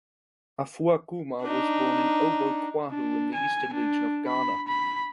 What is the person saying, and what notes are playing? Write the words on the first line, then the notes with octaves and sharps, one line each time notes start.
Afua Kuma was born in Obo Kwahu in the Eastern Region of Ghana.
D4 D#4
D4
G#5
D4
B5
B5